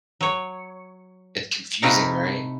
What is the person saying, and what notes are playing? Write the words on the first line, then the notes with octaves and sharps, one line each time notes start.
It's confusing, right?
F#3 C#5
C3 A3 D#4 E4 F5 F#5